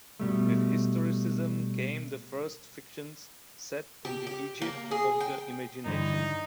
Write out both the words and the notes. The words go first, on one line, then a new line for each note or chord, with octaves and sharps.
With historicism came the first fictions set in the Egypt of the imagination.
B2 G3 A3
G4
G4
A#3
G#4
G5
G2 D3 E3 D#4